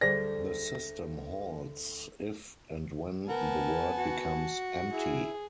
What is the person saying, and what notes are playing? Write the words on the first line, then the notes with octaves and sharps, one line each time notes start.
The system halts if and when the word becomes empty.
D2 G3 G#4 C5 D5 A#6 B6
B3 A#4 G#5 A5
F#4
E4 G#4